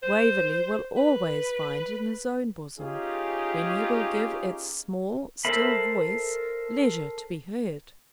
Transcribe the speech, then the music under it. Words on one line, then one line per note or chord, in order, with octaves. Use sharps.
Waverley will always find in his own bosom, when he will give its small still voice leisure to be heard.'
C5
B4
C#4 D#4 F4 G4 G#4
A4 A#4 C5 E5 B5